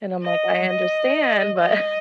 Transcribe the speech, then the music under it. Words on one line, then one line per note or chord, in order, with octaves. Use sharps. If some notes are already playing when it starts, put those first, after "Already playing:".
And I'm like, "I understand, but"
D#5
D#5
D#5